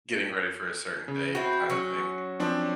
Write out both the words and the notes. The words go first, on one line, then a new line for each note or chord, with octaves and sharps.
getting ready for a certain date kinda thing.
C#3
C4 E4 F#4
F#3 C#4
F3 C4 D4